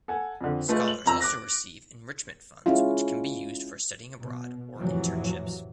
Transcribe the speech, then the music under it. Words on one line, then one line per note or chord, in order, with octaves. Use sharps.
Scholars also receive enrichment funds which can be used for studying abroad or internships.
A4 F#5 G#5
F2 D3
G#3 A3 F4 A4 B4
F#7
F2 A#5 E6
D6 F#6 A#6
G#3 C#4 E4 F4
B2
F2 A2 C3 E3 F#3